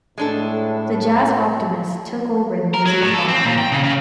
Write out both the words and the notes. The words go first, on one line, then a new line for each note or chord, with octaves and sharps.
The Jazz Optimists took over the musical backing.
A2 G#3 D4 A4
A#4
F#3
A2
A4
C4
A#2
G5
C#3
C#3